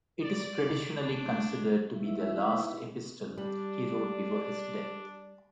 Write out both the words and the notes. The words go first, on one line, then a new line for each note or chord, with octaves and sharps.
It is traditionally considered to be the last epistle he wrote before his death.
D5
D4
B3 D#4 E4 E5
G3 D4 G4 D5